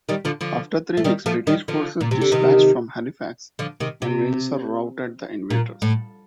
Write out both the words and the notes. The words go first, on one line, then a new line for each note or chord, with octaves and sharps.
After three weeks, British forces dispatched from Halifax and Windsor routed the invaders.
D#3 G3
D3 F3
D3 F3
A3
D#3 G3
F3 A3
D#3 G3
D3 F3
A#2
C3
D3
C3 D#3
D3 F3
C3 D#3
C3
A#2
A2